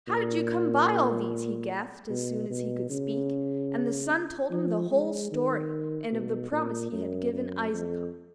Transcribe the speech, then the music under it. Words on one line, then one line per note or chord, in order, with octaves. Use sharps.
'How did you come by all these?' he gasped, as soon as he could speak; and the son told him the whole story, and of the promise he had given Eisenkopf.
A#2
B2
B2
C#3
F3
G#3
D#3
B2
A#2
F#2
F#2
F2